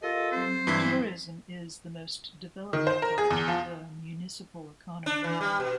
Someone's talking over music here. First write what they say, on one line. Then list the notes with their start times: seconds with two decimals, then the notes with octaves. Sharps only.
Tourism is the most developed part the municipal economy.
0.02 F4 G4 A4 A#4 D#5
0.32 F#3 C4 C5
0.67 G2 E3 E4 B6
2.73 D#3
2.87 C5
3.02 A#4
3.18 G#4
3.30 E2
3.48 F3
5.06 D4
5.24 E3
5.41 G3
5.60 B2